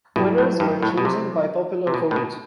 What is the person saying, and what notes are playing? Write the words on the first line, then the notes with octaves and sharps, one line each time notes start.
Winners were chosen by popular vote.
B2 F#3 A3 E4
A2
G2
A2
B2
C3
C3
B2
A2
B2